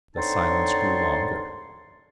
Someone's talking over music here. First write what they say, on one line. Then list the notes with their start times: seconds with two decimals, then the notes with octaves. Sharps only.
The silence grew longer.
0.16 D3 C4 D#4 C#5 A5 C6